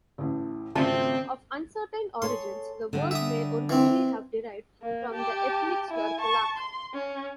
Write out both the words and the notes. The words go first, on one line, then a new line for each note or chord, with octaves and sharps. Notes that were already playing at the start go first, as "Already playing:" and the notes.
Of uncertain origins, the word may originally have derived from the ethnic slur "polack".
A1 A2
G#1 C#3 A3 C4 F4 A5
G#4 A4 C#5 C6
D3 G3
E5 D#6
E3 C4
A#3
G4 A5
E4 G#5
A5 C#6
C6
C#4